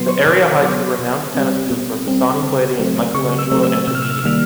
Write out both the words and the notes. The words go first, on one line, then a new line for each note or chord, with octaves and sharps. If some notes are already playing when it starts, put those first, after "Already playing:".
The area hides the renowned tennis fields where Bassani played against Michelangelo Antonioni.
Already playing: B2 F#3 B3 C6
C#6
B2 D6
F#3 B3
B2
G3 C4
B2
G3 C4
C#3
F#3 A3 C4
C#3 C#6
E6
F#3 A3 C4
E6
C3 E6
F6
E6
F6
E6
D#3 G3 A#3 F6